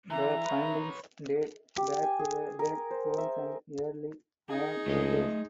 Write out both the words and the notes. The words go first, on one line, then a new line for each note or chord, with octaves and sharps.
The findings date back to the Late Bronze and Early Iron Ages.
E3 E5 A#5
B4 C#5
G4
G#5
G#4
A#4
C5
E5
D#4 G#4
C#2 A3 D#5